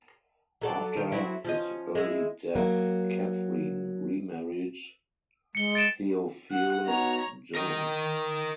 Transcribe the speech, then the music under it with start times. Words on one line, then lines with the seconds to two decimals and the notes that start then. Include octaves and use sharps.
After his early death Catherine remarried Theophilus Jones.
0.61 F#3 A4 D5
0.96 D#3
1.12 F#3 C4 E4
1.45 F3 C#4 D#5
1.95 G#3 E4
2.56 F#3 A#3
5.55 G#3 C#7 G7
5.75 A6 D7 E7
6.51 F#5
6.86 B3 D#4 F#4 C#5 A#5
7.55 A#4 D#5